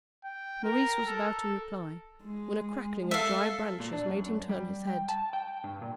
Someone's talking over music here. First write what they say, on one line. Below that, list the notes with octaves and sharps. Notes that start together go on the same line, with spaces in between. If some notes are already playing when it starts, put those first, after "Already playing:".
Maurice was about to reply, when a crackling of dry branches made him turn his head.
G5
A#4
A4
G#3
A4 E5 F5
A#2
D4
F#2
G3
G5
A5
G5
G2
A#2